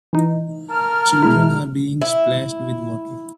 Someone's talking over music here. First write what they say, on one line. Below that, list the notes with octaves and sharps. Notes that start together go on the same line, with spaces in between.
Children are being splashed with water.
E3 D#4
A#4 A5 F6
B2 G#3 E4
E4